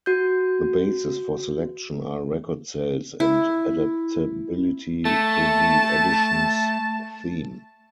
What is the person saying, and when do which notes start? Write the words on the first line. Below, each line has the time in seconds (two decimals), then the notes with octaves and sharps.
The basis for selection are record sales and adaptability to the edition's theme.
0.06 F#4 G6
3.20 E4
5.05 A3 A5